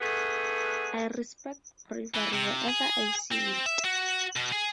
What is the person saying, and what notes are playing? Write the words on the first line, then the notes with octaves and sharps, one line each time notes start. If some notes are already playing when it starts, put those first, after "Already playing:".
I respect bravery wherever I see it.
D3 A3 B3 G#4
E3
C3
G#4
C4
E5
F#4
B2
G#4